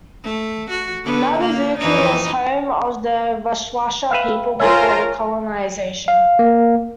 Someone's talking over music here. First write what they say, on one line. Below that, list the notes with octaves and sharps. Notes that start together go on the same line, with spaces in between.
Mabvuku was the home of the VaShawasha people before colonisation.
A3
F#4
D3 B3
A#3
F2 E3 D#4
B4 E5 F5 G5
F4 A#4 C5 C#5 E5 G#5 C6
F5
A#3